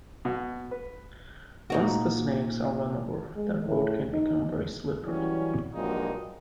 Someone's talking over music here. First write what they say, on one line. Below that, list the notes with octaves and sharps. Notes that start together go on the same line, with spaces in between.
Once the snakes are run over, the road can become very slippery.
B2
B4
A#2 D#4 F#4
G#3
A2
D#4
E3 F#3 G3 C#4
A#1 G2 A#2 F#3 G#3 D#4